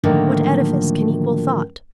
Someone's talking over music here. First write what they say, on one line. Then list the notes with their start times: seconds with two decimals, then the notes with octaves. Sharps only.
What edifice can equal thought?
0.04 A2 D3 D#3 F3 F#3 A#3